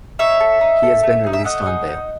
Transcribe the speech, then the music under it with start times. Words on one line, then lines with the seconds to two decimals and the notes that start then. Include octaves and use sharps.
He has been released on bail.
0.19 D#4 C#5 E5
0.40 A4
0.61 D#4
0.83 A4
1.03 A3
1.24 D#4 G#4
1.33 E5
1.44 A3 D#5 F#5
1.66 D#4 G#4
1.88 D#4